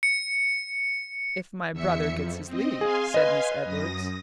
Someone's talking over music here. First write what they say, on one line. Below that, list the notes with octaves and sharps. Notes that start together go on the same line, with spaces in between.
"If my brother gets his leave," said Miss Edwards.
C#7
E2 E5 C#7
F2
C4 D#5
G#4 F5 G#5 C6
B4 D#5
F#2 D#6 A#6